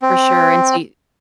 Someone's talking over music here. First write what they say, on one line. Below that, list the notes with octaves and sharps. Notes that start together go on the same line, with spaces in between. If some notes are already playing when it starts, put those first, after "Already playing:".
For sure. And so y
C4